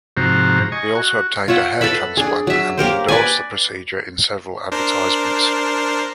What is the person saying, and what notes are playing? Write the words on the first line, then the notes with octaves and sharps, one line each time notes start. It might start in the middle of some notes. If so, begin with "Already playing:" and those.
He also obtained a hair transplant and endorsed the procedure in several advertisements.
G#2 C3 F3 F#4 C5 A#5
D#5 G#5 C#6
F#4
F4 C#5 E5 F#5
A4 B4 E5 B5
D4 G#4
F#3 E5
A#3 G4 A#4 C5
B4 D5 G#5
D4 A#4 C5